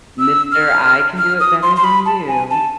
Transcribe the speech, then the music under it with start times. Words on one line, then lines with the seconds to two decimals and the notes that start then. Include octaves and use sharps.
Mister, "I can do it better than you."
0.19 E6
0.52 F6
1.18 F6
1.40 D#6
1.62 C6
1.76 C6
1.84 B5
2.06 A5
2.28 G#5
2.50 A5